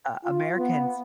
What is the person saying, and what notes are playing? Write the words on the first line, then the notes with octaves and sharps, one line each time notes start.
uh, Americans
F4
B3